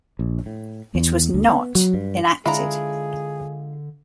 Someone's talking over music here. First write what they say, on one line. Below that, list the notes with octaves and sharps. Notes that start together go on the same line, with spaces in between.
It was "not" enacted.
A#1
A2
E2
D2
B3
F#3
G2
D3 G#3 D4 E4 F4 G#4 A#5